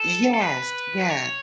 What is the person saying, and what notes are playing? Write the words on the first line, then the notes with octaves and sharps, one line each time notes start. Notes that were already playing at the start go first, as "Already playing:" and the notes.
Yes. Yeah.
Already playing: A4
A4
B4
C#5